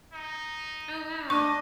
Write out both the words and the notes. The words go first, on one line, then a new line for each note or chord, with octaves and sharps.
Oh, wow.
D#4
D4 D#5 C#6